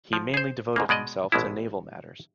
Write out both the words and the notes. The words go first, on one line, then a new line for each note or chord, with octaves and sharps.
He mainly devoted himself to naval matters.
F3
G#4 C5
G#2 C#3 A#3
B2 G#3 D5 D#5
A1 B2 G#3 E4